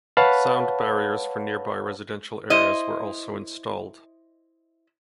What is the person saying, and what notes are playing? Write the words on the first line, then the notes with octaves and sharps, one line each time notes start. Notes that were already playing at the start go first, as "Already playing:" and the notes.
Sound barriers for nearby residential areas were also installed.
B4 C#5 F5 F#5 A5 B5
E4 C5 D#5